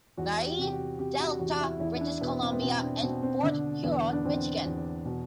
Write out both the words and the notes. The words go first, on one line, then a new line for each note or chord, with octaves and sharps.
Marie, Delta, British Columbia and Port Huron, Michigan.
E2 F#4
G4
C3 G4
F#4
C3 G4
F#4
E2 F#4
E4
E2 E4
E4
D4
B2 B3
C4
B3
B2 C4
D4
B2 C4
C4
D3 D4
E2 B3
D4
E2 C4
E2
B2